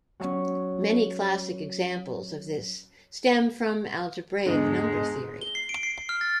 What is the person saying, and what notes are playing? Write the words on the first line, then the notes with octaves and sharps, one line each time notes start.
Many classic examples of this stem from algebraic number theory.
F#3 C#4
E2 G#2 D3 G#3
G7
C7
D7
C7
F6
A6